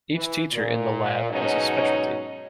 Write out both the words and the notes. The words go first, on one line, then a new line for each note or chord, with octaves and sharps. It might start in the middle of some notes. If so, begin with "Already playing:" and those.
Each teacher in the lab has a specialty.
E3
A#2
G#2 B2 F#3 C#4 D#4